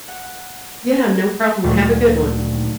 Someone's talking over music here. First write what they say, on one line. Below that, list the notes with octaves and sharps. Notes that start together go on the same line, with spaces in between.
Yeah, no problem, have a good one.
F#5
D2 A#2 D3 D#3 F#3 A3